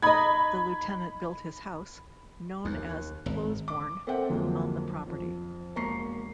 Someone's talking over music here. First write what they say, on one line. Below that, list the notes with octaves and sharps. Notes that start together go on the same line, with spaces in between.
The lieutenant built his house, known as Closebourne, on the property.
D#4 D#5 B5 G#6
D#2
G#1
D6
C4 A4 A#4 E5 F#5 G5
F2 D3 F#3 G#3 A#3
F2
E1 A#3 A#5 C#6 C7